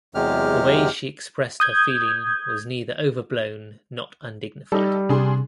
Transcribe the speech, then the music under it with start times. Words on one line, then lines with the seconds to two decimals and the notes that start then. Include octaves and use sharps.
The way she expressed her feeling was neither overblown not undignified.
0.15 E2 C3 F#3 G#3 G4 F6
1.60 D#6 G6 G#6
4.72 G3 D#4 A4
5.09 C3 D4 G#4 C6